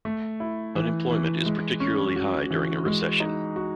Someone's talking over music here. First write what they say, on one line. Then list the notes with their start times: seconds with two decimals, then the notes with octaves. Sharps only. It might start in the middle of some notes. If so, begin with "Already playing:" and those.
Unemployment is particularly high during a recession.
0.05 A3
0.40 E4
0.75 E3
1.10 E3
1.46 G#3
1.80 C#4
2.16 F#4
2.50 E3
2.86 G#3
3.20 D#4
3.56 F#4